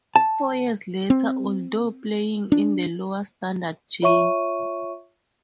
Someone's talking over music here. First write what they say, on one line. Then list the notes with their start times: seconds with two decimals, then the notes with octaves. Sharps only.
Four years later, although playing in the lower standard J.
0.16 A5
1.10 C4
2.52 D4
4.02 F4 C#5 E5 C#6 D#7